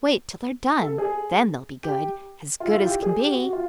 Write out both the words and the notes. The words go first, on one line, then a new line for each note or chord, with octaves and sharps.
"Wait till they're done; then they'll be good--as good as can be!"
A4
G#4
G4
F4
E4
F4
G4
G#4
G4
F#4
F#4
F4